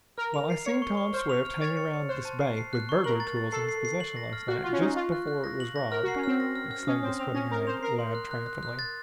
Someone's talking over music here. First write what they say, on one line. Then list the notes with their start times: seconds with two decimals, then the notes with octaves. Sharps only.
"Well, I seen Tom Swift hanging around this bank with burglar tools in his possession last night, just before it was robbed," exclaimed the squint-eyed lad triumphantly.
0.18 A#4 F6
0.34 F7
0.50 C7
0.65 C#5 C#7
0.82 C#6
0.97 C#6
1.13 C5 F6
1.29 F7
1.45 F6
1.62 C#5 A6
1.77 C#7
1.93 C#7
2.09 C5 F#6
2.25 A5
2.41 C7
2.57 C7
2.73 F#6
2.89 C#6
3.04 A#4 F#7
3.20 A6
3.37 A6
3.52 A4 C7
3.69 C7
3.85 C7
4.00 F#7
4.16 A#6
4.33 F6
4.48 F#4 F#6
4.64 F4 C#6
4.73 C#4
4.80 D#4 C#6
4.96 F4 C#6
5.12 F#6
5.28 F#6
5.44 A#6
5.60 F#7
5.76 A#6
5.91 A#4 F6
6.03 F#4 C7
6.16 C#4
6.24 C4 F6
6.40 A#6
6.56 F6
6.71 F6
6.87 C#4 D#6
7.03 C4 D#6
7.19 C4 F7
7.35 C#4 A#6
7.51 A#4 D#6
7.67 C5 F7
7.83 A#4 C7
7.99 C6
8.15 F#6
8.31 F#6
8.46 F#6
8.63 F#6
8.79 A6